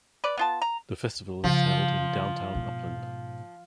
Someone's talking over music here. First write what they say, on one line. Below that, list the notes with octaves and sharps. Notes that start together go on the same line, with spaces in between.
The festival is held in downtown Upland.
B4 D5
B3 F4 A5
A#5
C#3 E3 F3
G#2 B2